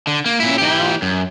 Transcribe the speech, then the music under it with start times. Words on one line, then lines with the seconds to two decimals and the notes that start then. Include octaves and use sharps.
You know,
0.07 D3
0.26 A#3
0.40 A#2 E4
0.58 E3 G4
1.02 F#2